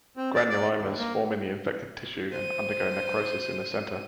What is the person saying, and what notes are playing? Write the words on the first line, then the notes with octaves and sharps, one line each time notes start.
Granulomas form in the infected tissue and undergo necrosis in the centre.
C4
D5
D5
D#2
A#3
C5 D#7